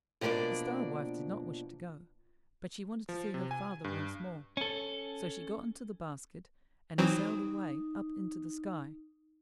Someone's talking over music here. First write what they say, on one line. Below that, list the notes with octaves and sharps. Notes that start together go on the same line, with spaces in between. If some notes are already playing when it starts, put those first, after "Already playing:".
The Star-wife did not wish to go, but she wanted to see her father once more, so she got into the basket and it sailed away up into the sky.
B2 F3 A#3 C4 D4 D5
F3
C3
G#5
G2
C#4 A4
E3 F#3 C4 D#4